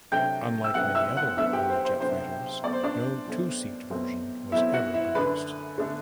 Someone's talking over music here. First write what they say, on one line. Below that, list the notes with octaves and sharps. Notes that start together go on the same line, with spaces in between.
Unlike many other early jet fighters, no two-seat version was ever produced.
C3 F#3 A3 D4 G5 G6
E6
C3 F#3 A3 D4 F#5 F#6
E5 E6
F#5 F#6
C3 F#3 A3 D4 E5 E6
G4 G5
C5
C5
C3 F#3 A3 D4 C5
B2 F#3 A3 C4 D5
C5
D4 D5
B2 F#3 A3 C4
B2 F#3 A3 C4
B2 F#3 A3 C4 E4 E5
F#4 F#5
E4 E5
F#2 D3 A3 D4 B4
D3 A3 D4